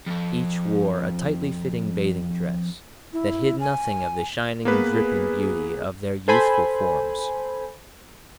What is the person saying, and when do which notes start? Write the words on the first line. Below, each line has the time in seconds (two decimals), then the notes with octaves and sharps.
Each wore a tightly fitting bathing dress that hid nothing of the shining, dripping beauty of their youthful forms.
0.06 F2 F3
3.13 E4
3.60 G#5
4.65 A#3 B3 G#4 B4
6.28 A4 C5 G#5 B5